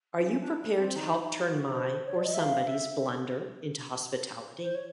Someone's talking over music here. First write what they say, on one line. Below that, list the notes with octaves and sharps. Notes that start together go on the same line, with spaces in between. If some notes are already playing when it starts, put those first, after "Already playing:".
Are you prepared to help turn my, or somebody's, blunder into hospitality?
C#4
D4
D4
C4
D#4
D#4
F#4
C5
C#5
D5
D#5
E5
F5
E5
C5
C#5